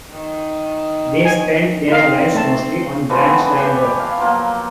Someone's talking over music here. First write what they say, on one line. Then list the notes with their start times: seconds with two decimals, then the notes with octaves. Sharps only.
They spent their lives mostly on branch line work.
0.12 D#3
1.25 G#5
1.88 C4 D#4 F5
2.34 A3 A5
3.10 E3 F3 A3 C4
3.27 B3
3.58 G4 B4 C#5 G5
3.99 F5
4.18 F3 F#3 A#3